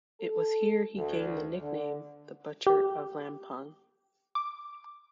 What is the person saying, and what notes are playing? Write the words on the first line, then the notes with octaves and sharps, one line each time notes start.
It was here he gained the nickname "The Butcher of Lampung".
A4
D2
D3
G4
D6